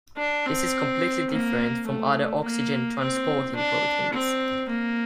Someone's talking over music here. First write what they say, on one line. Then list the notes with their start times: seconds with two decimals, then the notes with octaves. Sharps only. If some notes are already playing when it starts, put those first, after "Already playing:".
This is completely different from other oxygen transporting proteins.
0.17 D4
0.46 C4
1.30 A#3
1.86 A3
2.43 A#3
2.99 C4
3.55 D4
4.13 C4
4.68 A#3